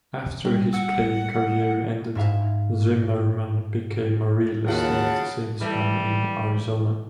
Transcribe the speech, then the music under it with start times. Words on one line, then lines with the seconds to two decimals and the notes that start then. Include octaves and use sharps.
After his playing career ended, Zimmerman became a real estate salesman in Arizona.
0.46 G3
0.73 F#5 E6
2.15 G#2 E4 F5
4.67 D#2 C#3 F4 F#4 F#5 A5
5.61 E3 G3 A3